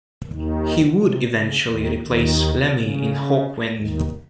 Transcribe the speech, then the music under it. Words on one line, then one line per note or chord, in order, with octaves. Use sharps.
He would eventually replace Lemmy in Hawkwind.
D#2 D#3
C3
C#3
D#2 D#3
D#2 D#3
C#3
D#2 D#3